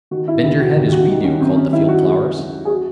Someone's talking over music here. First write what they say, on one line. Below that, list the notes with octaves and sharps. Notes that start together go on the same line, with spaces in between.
"Bend your head, as we do," called the field-flowers.
D#3 F#4
E4
D#2 E4
F#4
D#2
F#4
D#3
C#4
F#2 C4
C#4
D#3 E4
F#4
G#3 F#4
F#2
G#4
F#4